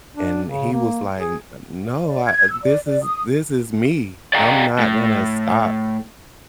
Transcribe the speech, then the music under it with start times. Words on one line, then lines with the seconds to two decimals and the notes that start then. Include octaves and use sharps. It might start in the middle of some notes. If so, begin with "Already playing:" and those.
And he was like, "N n no, uh, this is this is me. I'm not gonna stop,
0.16 D4
0.47 C#3
0.72 A#3
1.19 G#4
2.06 D5
2.26 G#6
2.51 E6
2.65 D5
2.87 D5
3.04 D#6
4.33 D5 D#5 F5 G5 A#5
4.79 A2